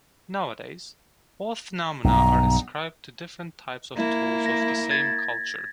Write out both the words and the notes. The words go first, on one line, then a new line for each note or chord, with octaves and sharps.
Nowadays both phenomena are ascribed to different types of tools of the same culture.
B1 G2 A#5
A#3 E4
A#6
G#6 A6